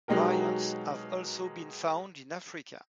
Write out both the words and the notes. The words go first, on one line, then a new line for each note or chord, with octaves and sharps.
Variants have also been found in Africa.
B2 F#3 G#3 D#4 G4 A#4